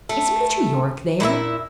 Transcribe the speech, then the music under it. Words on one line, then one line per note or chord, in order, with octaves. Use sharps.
"Is Mr. Yorke there?"
A3
A#2 E4 F4 E5